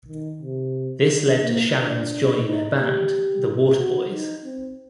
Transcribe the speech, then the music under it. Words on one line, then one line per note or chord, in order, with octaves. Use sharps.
This led to Shannon's joining their band, The Waterboys.
D#3
C3
D3
A#3
D4
D#4
G4
F#4
D#4
C4